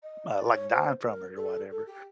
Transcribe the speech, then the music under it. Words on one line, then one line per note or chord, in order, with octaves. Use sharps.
uh like dying from it or whatever.
D#5
D5
C#5
C5
A#4
A4
A4
G4